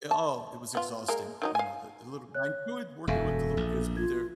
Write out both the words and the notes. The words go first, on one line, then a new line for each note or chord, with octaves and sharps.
uh, oh, it was exhausting. You know, the the little I enjoyed working with the little kids, but they're
A5
B3 F4
G#3 A#3 A#4
D#3 F#3 D#4
F5 G#5
C#5 F#6
E1 F#2 A4 E5 F5 G#5
A#1
F4 G#6